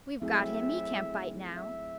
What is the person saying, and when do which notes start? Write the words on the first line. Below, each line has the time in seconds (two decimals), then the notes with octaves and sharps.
"We've got him; he can't bite now."
0.22 F#3 A3 C4 E4 G#4 E5
1.57 E5